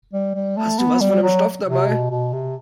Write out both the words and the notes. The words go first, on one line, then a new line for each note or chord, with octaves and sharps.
Hast du was von dem Stoff dabei?
G3
G3
A3
B3
G3
F#3
C3
B2
B2
C3